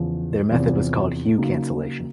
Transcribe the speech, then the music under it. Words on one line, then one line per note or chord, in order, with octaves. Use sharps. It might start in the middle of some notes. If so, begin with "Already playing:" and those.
Their method was called "hue cancellation".
Already playing: E2 C#3 F3
E2 C3 F3
C#3 F#3 A#3 D#4